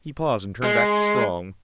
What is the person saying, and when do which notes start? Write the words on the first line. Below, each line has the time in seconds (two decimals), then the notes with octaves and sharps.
He paused and turned back to Strong.
0.63 G#3